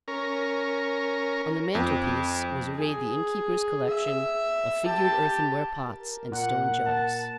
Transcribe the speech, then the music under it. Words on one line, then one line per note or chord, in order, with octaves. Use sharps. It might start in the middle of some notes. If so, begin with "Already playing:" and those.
On the mantelpiece was arrayed the innkeeper's collection of figured earthenware pots and stone jugs.
C#4 A#4
F2
G#4
E5
G4 A5
A#4
A#2 F#5
A5